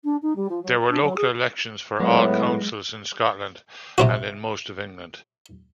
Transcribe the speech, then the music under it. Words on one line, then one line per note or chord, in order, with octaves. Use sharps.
There were local elections for all councils in Scotland and in most of England.
D4
D#4
G3
F3
F#3
A#4
D4
F#3
G#4
A2 F#3 G#3 B3
C3 C4 F#4